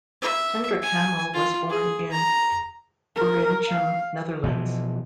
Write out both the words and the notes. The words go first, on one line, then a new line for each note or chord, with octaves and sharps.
Hendrick Hamel was born in Gorinchem, Netherlands.
E5
G#5
F4
G#4
A#5
A#4
F5
B2 E3 F3